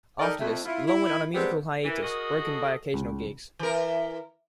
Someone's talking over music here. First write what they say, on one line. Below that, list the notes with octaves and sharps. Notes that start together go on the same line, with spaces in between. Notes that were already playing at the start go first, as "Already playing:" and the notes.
After this, Long went on a musical hiatus, broken by occasional gigs.
D#4 G4 A4 A#4 D5 D#5
F2 A3
E4 F4
E4
G#3 B3 C4 D4 G4 A#4
E3 A#4
F#4 G#4 D#5
A4
C#2
E3 A#4